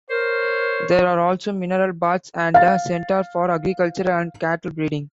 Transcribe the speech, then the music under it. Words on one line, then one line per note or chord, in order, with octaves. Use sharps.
There are also Mineral Baths and a center for agriculture and cattle-breeding.
A#4 C5 C#5
F5 A6